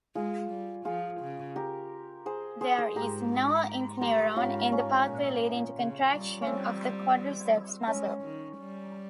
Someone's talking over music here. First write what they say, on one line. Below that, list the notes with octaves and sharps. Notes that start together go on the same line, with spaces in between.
There is no interneuron in the pathway leading to contraction of the quadriceps muscle.
G#3 F4 G#4
G3
F3 F4 G#4
C#3
G4 A#4
G#4 C5
G#4 C5
G#4 C5
G#2 G4 A#4
G4 A#4
G#2 C#4 F4
C#4
A#2 C#4
C#3
G3
C#4
G3 C4
G#3 C#4
D#3
G3